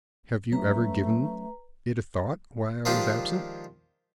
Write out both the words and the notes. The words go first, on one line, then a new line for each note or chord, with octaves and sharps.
"Have you ever given it a thought, why I was absent?"
F#3 A3 C#4 B4 A#5
D#3 F3 G#3 D4 F4 G4